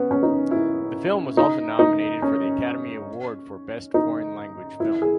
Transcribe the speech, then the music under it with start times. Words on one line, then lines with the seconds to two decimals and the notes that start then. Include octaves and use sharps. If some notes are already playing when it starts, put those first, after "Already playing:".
The film was also nominated for the Academy Award for Best Foreign Language Film.
Already playing: B3 C#4
0.11 C#4
0.23 D#4
0.51 E4
1.37 D#4
1.79 D#4
2.22 C#4
3.94 D#4
4.80 E4
5.02 G#4